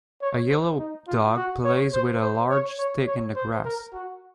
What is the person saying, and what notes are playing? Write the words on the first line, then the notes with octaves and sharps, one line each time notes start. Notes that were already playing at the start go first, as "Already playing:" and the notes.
A yellow dog plays with a large stick in the grass.
C#5
C5
D#4
F4
F#4
C#5
C5
C5
C#5
C#5
C#5
C5
A#4
F#4